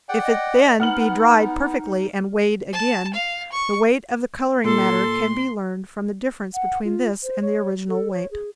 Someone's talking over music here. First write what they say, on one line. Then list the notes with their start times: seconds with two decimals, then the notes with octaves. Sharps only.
If it then be dried perfectly and weighed again, the weight of the coloring matter can be learned from the difference between this and the original weight.
0.09 G#4 D5 F#5 G5
0.22 D#5
0.80 B3 D#4 F#5 F6 F#7
2.73 A5
3.14 F5
3.52 C#6
4.64 A#2 A4 C6
6.54 F#5
6.84 F4
7.23 C5
7.42 C#5
7.88 A4
8.10 C#5
8.31 G#4